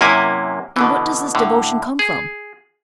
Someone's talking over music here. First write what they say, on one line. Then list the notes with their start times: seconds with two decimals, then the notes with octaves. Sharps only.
"And what does this devotion come from?"
0.01 F#2 C3 A#3 E4 G#5
0.76 B2 D3 E3
1.35 A2 D3
1.99 G#4